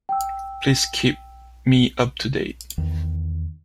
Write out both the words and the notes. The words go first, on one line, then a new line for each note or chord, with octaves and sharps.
Please keep me up-to-date.
G5 E6
E2 D#3